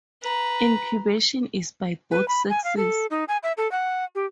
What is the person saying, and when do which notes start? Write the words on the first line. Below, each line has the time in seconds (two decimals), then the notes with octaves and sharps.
Incubation is by both sexes.
0.22 B4 A#5
2.11 B4
2.28 B5
2.50 G#5
2.64 F5
2.77 A4
3.10 D#4
3.28 G#5
3.43 E5
3.57 A4
3.71 F#5
4.15 G4